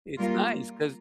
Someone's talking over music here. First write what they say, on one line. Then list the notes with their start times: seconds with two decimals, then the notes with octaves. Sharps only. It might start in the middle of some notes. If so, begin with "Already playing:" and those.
it's nice 'cause
0.19 G3 A#3 F4 A#4